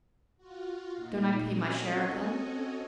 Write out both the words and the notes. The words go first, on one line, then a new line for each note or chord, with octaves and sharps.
"Don't I pay my share of them?"
F4 F#4
A#2 D#4
C4 C#4 F#4 A4 C#5 D#5